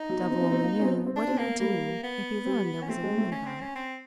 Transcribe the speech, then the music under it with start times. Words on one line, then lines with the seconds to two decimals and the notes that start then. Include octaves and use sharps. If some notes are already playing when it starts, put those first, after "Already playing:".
Devil only knew what he would do if he learned there was a woman about.
Already playing: D#4
0.09 F#3
0.19 B3
0.30 C4
0.41 C4
0.51 C4
0.63 A#3
0.74 B3
0.80 C#4
0.84 C4
0.95 B3
1.06 C4
1.16 D4
1.27 C4
1.38 A#3 B3
1.59 G3 A#3
2.03 B3
2.46 G3
2.82 C#4
2.89 A3 C4
3.03 G#3
3.18 A3
3.32 C#4
3.46 C4
3.61 C#4
3.76 C4